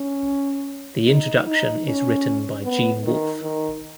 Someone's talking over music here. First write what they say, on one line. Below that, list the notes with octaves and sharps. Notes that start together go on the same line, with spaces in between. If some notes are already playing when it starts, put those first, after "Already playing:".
The introduction is written by Gene Wolfe.
Already playing: C#4
D#4
D#4
C#4
B3
D#3
D#3